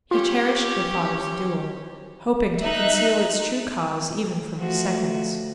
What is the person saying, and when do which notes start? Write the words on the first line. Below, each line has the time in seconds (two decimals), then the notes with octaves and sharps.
He cherished the thought of the duel, hoping to conceal its true cause even from his seconds.
0.11 C#4 F4 G4
2.60 D#4 E5 F#6
4.57 F3 A3 F#4